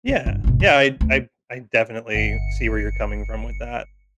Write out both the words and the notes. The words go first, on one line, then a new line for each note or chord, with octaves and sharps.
Yeah. Yeah, I I I definitely see where you're coming from with that.
D3 C4
G1 D3
G#1 B2
D3
D2
G1 C#7